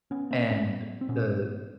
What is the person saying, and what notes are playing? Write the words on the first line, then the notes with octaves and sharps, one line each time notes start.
And the
B3 C#4
A#3 C4
A2 B3 C#4
C4
A#2 B3 C#4